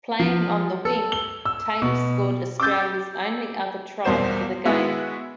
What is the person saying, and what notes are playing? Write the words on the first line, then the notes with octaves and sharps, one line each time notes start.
Playing on the wing, Tate scored Australia's only other try for the game.
F3
A4
G7
E6
B2
D6 E6 G6 A6
B1 E2 G3 A#3 C5 E7
G#3 B3 E4 F#4 E5